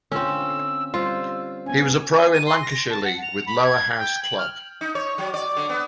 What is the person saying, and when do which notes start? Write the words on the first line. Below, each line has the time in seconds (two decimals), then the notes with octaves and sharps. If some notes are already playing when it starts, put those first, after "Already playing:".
He was a pro in Lancashire League with Lower House Club.
0.12 D3 C4 C#4 F4 E6
0.94 G3 F4 C5 E6
1.66 B3 C#4 G#5
2.12 G#5
2.32 D#7
2.46 C6
2.62 A#6
2.90 A5
3.04 F#5
3.22 F7
3.46 B5
3.63 G#6
3.97 G5
4.23 F#7
4.37 F6
4.81 D#4
4.95 C#5
5.18 F#3
5.34 D5
5.57 D3
5.70 B3